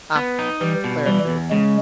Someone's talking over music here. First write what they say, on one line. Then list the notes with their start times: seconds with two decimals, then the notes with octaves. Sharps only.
"Ah!" Clara drooped.
0.15 B3
0.39 D#4
0.61 E3 G3
0.84 B2
1.06 E3 G3
1.28 E2
1.51 C#3 G#3